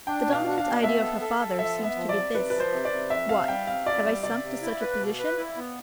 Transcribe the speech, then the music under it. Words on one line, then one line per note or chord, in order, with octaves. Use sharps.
The dominant idea of her father seems to be this: 'What, have I sunk to such a position!
D4 G5
B2
F5
D4
F5
B2
B3 E5
A4
A4
A4
F3 E5
B3
E5
F3
D5
C3
C3 B4
F3 B4
C5
C3
D5
C3
F2 E5
C3 F5
G3 G5
C3 F5
F2 D5
G3
C3 D5
C3
E4
B4
B2
B4
E4
B3